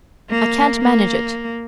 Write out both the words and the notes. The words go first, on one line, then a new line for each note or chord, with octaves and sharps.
I can't manage it.
A#3
A#3